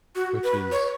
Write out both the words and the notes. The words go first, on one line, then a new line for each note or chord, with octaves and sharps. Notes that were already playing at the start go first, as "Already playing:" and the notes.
Which is,
F#4
B4
C#5